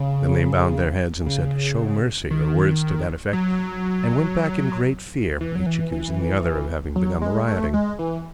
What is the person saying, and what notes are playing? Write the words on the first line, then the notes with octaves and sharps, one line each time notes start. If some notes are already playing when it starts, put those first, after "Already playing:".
Then they bowed their heads and said: "Show mercy!" or words to that effect, and went back in great fear; each accusing the other of having begun the rioting.
Already playing: C#3
C#3
D#3
F#3
E3
F#3
E3
E3
F#3
G#3
A3
G#3
E3